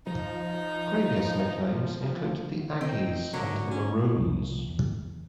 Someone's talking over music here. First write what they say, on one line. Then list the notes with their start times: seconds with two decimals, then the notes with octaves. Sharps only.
Previous nicknames included the Aggies and the Maroons.
0.07 F3 D#4
2.81 C4 D#4
3.34 D3 F#3 A#4
3.71 C#4
4.16 C2 F3
4.69 E2